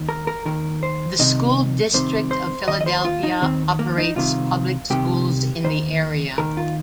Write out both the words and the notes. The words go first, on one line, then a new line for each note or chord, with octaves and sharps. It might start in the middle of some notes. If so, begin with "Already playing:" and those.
The School District of Philadelphia operates public schools in the area.
Already playing: D#2 D#3
A#4
A#4
D#2 D#3 A#4
C5
C2 C3 D#3 D#5
C2 C3 D#3 C5
C5
D#2 D#3 D#5
D#5
C5
F4
D#4
D#2 D#3 C4
A#3
D#4
C2 C3 D#3 F4
C2 C3 D#3 G4
D#2 D#3 C5
D#2 D#3 A#4
F4